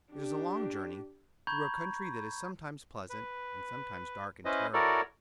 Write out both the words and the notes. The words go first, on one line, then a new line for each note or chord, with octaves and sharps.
It is a long journey, through a country that is sometimes pleasant and sometimes dark and terrible.
D4 G4
A#5 B5 C#6 G6 G#6
B4
C#4 E4 B4 C5 D#5
E4 F#4 A4 A#4 C#5 D5